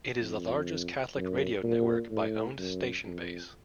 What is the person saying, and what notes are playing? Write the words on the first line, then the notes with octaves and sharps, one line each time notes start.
It is the largest Catholic radio network by owned station base.
F2
F#2
A#2
A2
F#2
F2